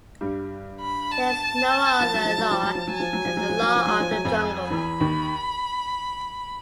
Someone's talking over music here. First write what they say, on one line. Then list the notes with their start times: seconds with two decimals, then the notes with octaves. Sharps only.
There is no other law than the law of the jungle.
0.21 G2 G3
0.81 B5
1.11 A5
2.00 F3
2.14 F#3
2.25 F3
2.38 F#3
2.51 F3
2.63 F#3
2.75 F3
2.87 F#3 G#5
3.00 F3
3.13 F#3
3.25 F3
3.37 F#3
3.49 F3
3.62 F#3
3.75 F3
3.87 F#3
4.00 F3
4.11 F#3
4.25 F2 F3
4.70 E2 E3 B5
5.00 D#2 D#3